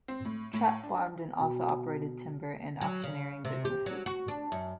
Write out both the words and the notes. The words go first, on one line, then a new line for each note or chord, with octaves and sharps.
Trapp farmed and also operated timber and auctioneering businesses.
C4
A2
A2
D4
B2
F#3
C#3
C3
G4
F#3
F#4
D4
F#2